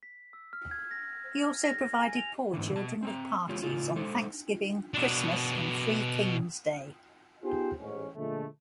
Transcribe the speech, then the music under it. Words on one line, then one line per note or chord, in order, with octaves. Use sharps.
He also provided poor children with parties on Thanksgiving, Christmas and Three Kings Day.
B6
E6
F6
G#6
A#6
A#6
G#5
F7
G#2 D3 E3
B2 A5
C4 G#5 A#5
E3 G#3 C4 F4 G4 C#5
A2 C#3 F4
G#3 A4 C5
B2 D4
B3 D#4 F4 G4 G#4 C5
A1 G#2 C#4
A#2 D3 F3 G#3 A3